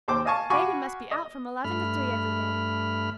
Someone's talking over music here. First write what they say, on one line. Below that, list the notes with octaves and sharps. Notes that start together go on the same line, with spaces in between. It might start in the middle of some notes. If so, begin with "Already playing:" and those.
Baby must be out from eleven to three every day.
D#2 C5 G5 D6
D#5 F5 G#5 A5 C#6
F#4 F5 G#5 B5 C#6 D6
D#5
G2 A3 B5 F6